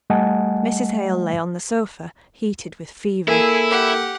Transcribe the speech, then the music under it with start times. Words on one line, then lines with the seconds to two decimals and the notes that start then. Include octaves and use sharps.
Mrs. Hale lay on the sofa, heated with fever.
0.10 G3 A3 D#5 F#5 G#5 A5
3.28 A#3 E4 G#4 A4
3.70 G4 F#5